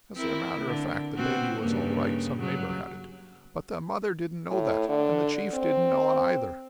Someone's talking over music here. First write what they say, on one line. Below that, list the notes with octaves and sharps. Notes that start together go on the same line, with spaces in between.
As a matter of fact, the baby was all right--some neighbors had it--but the mother didn't know that, and the chief didn't know it, either.
C4 E4 A#4
D3
B2 C4 F#4
G2 C#3 A#3
C#3 F#3
A2
D3
C4